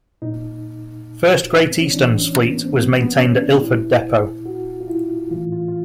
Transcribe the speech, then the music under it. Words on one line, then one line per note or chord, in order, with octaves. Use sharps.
First Great Eastern's fleet was maintained at Ilford depot.
A#2 D#4
C4
C#4
A2 E3 D4
C#4
A#3
B3
C4
B3
B3
C#4
D4
A#2 E4
F#4
F4
E4
A2 E3 F4
F4
F4